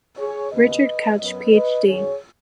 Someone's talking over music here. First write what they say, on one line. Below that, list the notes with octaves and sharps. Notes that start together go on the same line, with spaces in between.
Richard Couch, PhD.
G#4 C#5
D#2 C#3 B3 B4 D#5
F#2 F#3 B3 B4 D#5
B4 D#5
F#2 D#3 F#3 G#4 C#5